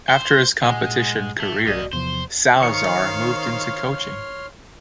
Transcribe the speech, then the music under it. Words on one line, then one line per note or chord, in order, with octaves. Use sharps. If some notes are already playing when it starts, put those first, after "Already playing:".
After his competition career, Salazar moved into coaching.
C5
A#2 G#3 F#5 G#5
A3
B1 A#3 F#4 D5 D#5
E2 C3 F3 C5
D#3 C5 C#5 F5 C6 C#6 F6 C#7